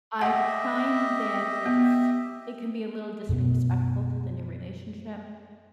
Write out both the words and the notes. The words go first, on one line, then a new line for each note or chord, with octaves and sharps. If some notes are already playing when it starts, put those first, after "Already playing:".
I find that it's it can be a little disrespectful to the new relationship.
G4 D#5 E5 F#5
B3
F#2 B2 B3